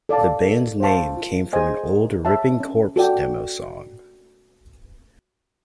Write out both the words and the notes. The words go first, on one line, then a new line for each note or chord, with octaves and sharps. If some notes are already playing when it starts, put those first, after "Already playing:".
The band's name came from an old Ripping Corpse demo song.
A4 D5 F5 A5
A4
C5 F5 A5 C#6
F4
G#4 C5 D#5 G#5
A#4
C#5 E5 A5
C#4
F#4 A4 D5 G5